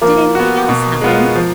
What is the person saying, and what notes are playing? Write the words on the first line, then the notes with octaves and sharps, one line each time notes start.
"Did anything else happen?"
F3 A#3
B3 F#4
B2
G#3 B3 F4
F3